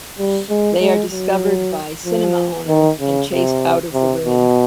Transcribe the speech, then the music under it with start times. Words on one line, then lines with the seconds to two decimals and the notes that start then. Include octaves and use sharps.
They are discovered by the cinema owner and chased out of the room.
0.19 G3
0.50 G#3
0.80 G#3
1.12 F#3
2.06 F3
2.68 D#3
3.00 C#3
3.32 C3
3.94 C3
4.26 B2